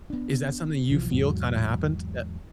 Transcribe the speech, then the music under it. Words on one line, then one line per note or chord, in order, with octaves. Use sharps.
Is that something you feel kinda happened? Eh
B3 D4
B1 B2 E3 F3
E2 G#2 F#3